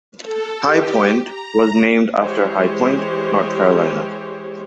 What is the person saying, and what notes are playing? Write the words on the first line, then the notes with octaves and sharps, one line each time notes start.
"High Point" was named after High Point, North Carolina.
A4
G4
A#5
E3 G#3 G4 C5 C#5